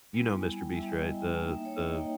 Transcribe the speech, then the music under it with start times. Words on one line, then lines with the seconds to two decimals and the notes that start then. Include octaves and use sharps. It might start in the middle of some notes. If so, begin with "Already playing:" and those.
you know MrBeast, right, the the
0.14 G3 B3 E4 G#5
0.35 G#5
0.55 G5
0.74 G3 B3 E4 E5
0.90 D#5
1.04 G#5
1.14 G5
1.20 G#5
1.35 A#3 D#4 G5
1.50 E5
1.65 C#5
1.80 D#5
1.95 A#3 D#4 G5